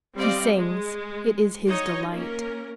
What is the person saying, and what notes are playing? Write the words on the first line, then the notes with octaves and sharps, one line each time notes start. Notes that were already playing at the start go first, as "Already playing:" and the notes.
He sings; it is his delight.
G3 C4 C5 D5 D#5 F5
G#3
F#3 D#4 C#5 D#5
A#3 C#4 A#4